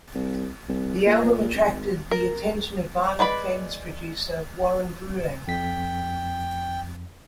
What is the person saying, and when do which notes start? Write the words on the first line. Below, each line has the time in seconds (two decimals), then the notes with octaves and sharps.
The album attracted the attention of Violent Femmes producer, Warren Bruleigh.
0.15 C2
0.68 C2
1.07 A#2
1.54 G#1
2.11 A#4
3.19 G#3 B4 D5 B5
5.48 F2 G5 B6